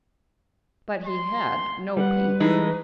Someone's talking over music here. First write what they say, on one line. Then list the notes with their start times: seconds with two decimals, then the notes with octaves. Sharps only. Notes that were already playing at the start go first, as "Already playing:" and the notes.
But he had no peace!
1.05 C6
1.97 G3 B4 F#5
2.40 E3 G#3 D#4 A4